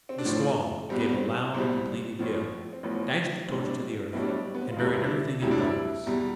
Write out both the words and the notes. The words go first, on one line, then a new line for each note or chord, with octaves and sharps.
The squaw gave a loud and plaintive yell, dashed the torch to the earth, and buried everything in darkness.
C4
D4
A1 A2 F3 C4
C2 B2 G3 C4
B3
C4
C2 B2 G3 C4
A1 A2 F3
C4
A1 A2 F3 B3
B1 A2 G3 C4
D4
C4
B1 A2 G3 E4
D4
C4
B3
C4
F4
E1 D2 C3 G3 E4
E4
D4
E4
E1 D2 C3 G3 E4
D4
E4
E2 B2 G3